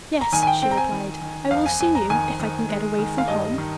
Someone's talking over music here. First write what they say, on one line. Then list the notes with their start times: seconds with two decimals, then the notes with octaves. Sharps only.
"Yes," she replied; "I will see you, if I can get away from home."
0.21 A#5
0.32 D#3 G#5
0.43 G#5
0.47 G5
0.62 C4 G5
0.71 A#5
0.77 G#5
0.91 D#3
1.21 D#3
1.51 F2 F5
1.66 G#5
1.80 F2 G#5
1.95 A#5
2.10 D#3 G#5
2.39 D#3
2.69 G#3
2.98 D#3
3.18 F5
3.28 G2 D#5
3.58 D#3